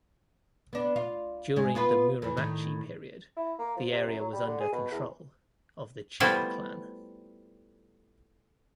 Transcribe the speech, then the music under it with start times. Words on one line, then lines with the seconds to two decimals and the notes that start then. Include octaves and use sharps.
During the Muromachi period, the area was under control of the Chiba clan.
0.73 B3 D4
0.96 F4
1.56 G#2 G#3
1.75 B3 F4 B4
2.22 F2 E3
2.37 A2 D#3
3.37 E4
3.59 A#3
3.77 F3
3.92 C3
4.07 F#2
4.19 F#3
4.33 G3
4.47 D3
4.60 G#4
4.72 B2
4.91 E2
6.20 G3 A3 B3 C4 E4 F4